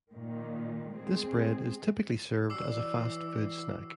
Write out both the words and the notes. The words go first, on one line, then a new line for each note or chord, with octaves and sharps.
This bread is typically served as a fast food snack.
A#2 D#3
G#3 C4 G#4
E3 G3 C#4 F#4 D6 E6 C7